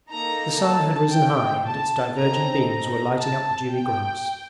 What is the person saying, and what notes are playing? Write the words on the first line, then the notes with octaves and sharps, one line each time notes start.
The sun had risen high and its diverging beams were lighting up the dewy grass.
A#3 D#4 A4 A#5
A5
G5
A5
C4 D#4 A4 A#5
A#5
A5
G5